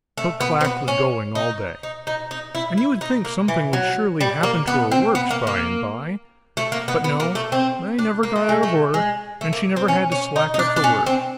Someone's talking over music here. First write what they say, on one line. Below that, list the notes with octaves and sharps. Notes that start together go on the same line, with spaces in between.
Her clack was going all day, and you would think something would surely happen to her works, by and by; but no, they never got out of order; and she never had to slack up for words.
A3
B3
C4
B3
C#4
D#4
D#4
D#4
D#4
E4
E4
D#4
A#3
E3
F#3
G3
A#3
B3
C4
B3
A#3
A#3
A3
A#3
B3
B3
A#3
A3
C4
D4
A#3
A3
G#3
A3
G#3
A3
A#3
C4
C#4
C#4
D#4
D#4
D4
D4
C#4
C4